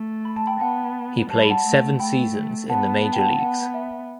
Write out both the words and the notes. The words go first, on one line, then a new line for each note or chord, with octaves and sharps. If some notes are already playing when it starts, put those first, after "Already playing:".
He played seven seasons in the major leagues.
Already playing: A3
B5
A5
G5 B5
B3 F#5 A5
G3 A5
B5
F#5 A5
A3
A3 G5 B5
B3 F#5 A5
A5
G5
F#5 A5
B3 F#5
E5